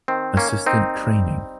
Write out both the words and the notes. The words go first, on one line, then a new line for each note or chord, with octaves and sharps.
Assistant training.
D#3 C4
A#3 C#4
A#3
C4 D#4
G3